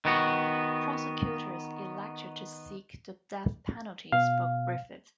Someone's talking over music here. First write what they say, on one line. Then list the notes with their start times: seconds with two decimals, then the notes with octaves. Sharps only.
Prosecutors elected to seek the death penalty for Griffith.
0.05 D#3 B3 F#4
4.12 B2 F5